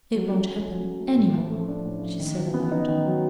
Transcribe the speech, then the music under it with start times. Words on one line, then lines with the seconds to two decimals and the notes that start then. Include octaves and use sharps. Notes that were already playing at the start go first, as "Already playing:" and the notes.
"It won't happen ANY more," she said aloud.
0.14 F#3
0.32 A3
0.48 C#4
0.66 F#3
0.83 F#3
0.99 A3
1.17 A2
1.34 F3
1.50 A3
1.68 D4
1.85 A2
2.02 F3
2.20 D#3
2.36 F#3
2.54 B3
2.71 D#4
2.88 D#3
3.05 F#3